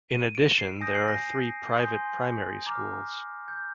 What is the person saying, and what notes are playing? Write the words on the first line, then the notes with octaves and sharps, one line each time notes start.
In addition there are three private primary schools.
D#7
D7
C7
G#5 D#6 G6 A#6
C7
A#6
G#5 C6 D#6 G6
A#5 D6 F6
G6